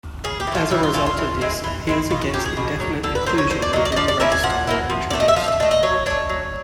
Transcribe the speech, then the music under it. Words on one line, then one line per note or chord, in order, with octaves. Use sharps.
As a result of this, appeals against indefinite inclusion within the register were introduced.
C#3 G#4
G4
E3
A3 F4
C#3 E4
F4
E3 A3 F4
F4
E3
G#3 C4 E4
E3
G#3 C4 E4
B2 F4
F#4
F#3 A#3 C#4 G4
G#4
B2
F#3 A#3 C#4
D3 A4
B4
F#3 A#3 C5
C#5
D3 C5
D5
F#3 A#3 D#5
D5
D#5
F3 D5
D5
A#3 C#4 E4 E5
G#5
F3 F#5
A#3 C#4 E4
F3
D5
A3 D4
D#5
E5
F3 F5
E5
A3 D4 D#5
D#5
F#3 C#5
A3 D4 C#5
F#3